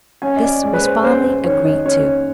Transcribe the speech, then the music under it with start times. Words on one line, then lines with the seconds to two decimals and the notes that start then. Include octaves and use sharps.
This was finally agreed to.
0.22 C#4 G#5
0.37 D#5
0.43 D5
0.63 G#3
0.73 B4
0.83 C5
1.04 C#4 C5
1.25 C5
1.44 D#3 C#5
1.65 D#5
1.85 C#4 C#5